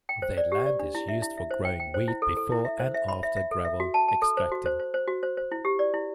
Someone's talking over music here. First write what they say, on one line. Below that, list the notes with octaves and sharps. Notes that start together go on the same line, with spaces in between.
Their land is used for growing wheat before and after gravel extracting.
G5
C5
D5
G4
D5
D4
E4
E5
E4
E5
C5
G5
G5
C5
E4
A4
A4
E4
E5
C5
E5
B5
E5
E5
A4
E5
F#4
A5
A5
A4
C5
F#4
C5
C5
C5
F#4
C5
C5
E4
G4
D5
E4